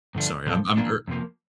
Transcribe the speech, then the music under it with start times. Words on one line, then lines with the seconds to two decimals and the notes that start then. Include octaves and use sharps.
Sorry, I'm I'm ear
0.15 G2 D3 F3 A3 D4
0.46 A#2 F3 C4 F4 A4
0.77 E3 A#3 D4 F4
1.08 F2 C3 F3 A#3